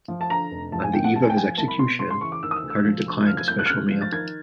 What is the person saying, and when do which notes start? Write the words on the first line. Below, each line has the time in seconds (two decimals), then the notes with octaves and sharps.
On the eve of his execution, Carter declined a special meal.
0.08 F3
0.21 A5
0.30 D3 A#5
0.51 F1
0.72 F3 A5
0.83 G#5
0.93 G#1 G5
1.04 F#5
1.15 C#3 A5
1.23 G#5
1.30 G5
1.37 F3 G#5
1.58 C2 A5
1.68 B5
1.78 B2 C6
1.99 C#3 C6
2.10 C6
2.21 E3 C#6
2.32 D6
2.43 D#3 E6
2.51 D#6
2.56 E6
2.63 D2
2.70 E6
2.85 F3
3.06 D2
3.27 F3 F6
3.37 G#6
3.48 C2 G6
3.59 F#6
3.66 F6
3.70 C#3 F#6
3.91 F3
4.01 A6
4.12 D#3 G#6